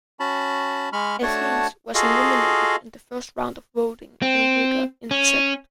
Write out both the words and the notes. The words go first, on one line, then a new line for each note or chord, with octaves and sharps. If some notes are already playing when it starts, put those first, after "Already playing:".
Athens was eliminated in the first round of voting and Riga in the second.
C#4 F#4 A5 B5
G#3 B5 C#6 F6
A3 D4 F#4 C#5 F#5 A5
F4 F#4 G#4 A4 D#5 F5
C4
C#4